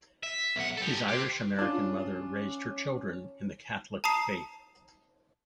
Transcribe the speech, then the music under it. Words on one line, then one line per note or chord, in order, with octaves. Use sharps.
His Irish-American mother raised her children in the Catholic faith.
E5
B1 F#5
G4 A4
G4 C5
C#4 D4 F4
A5 A#5 D#6 C7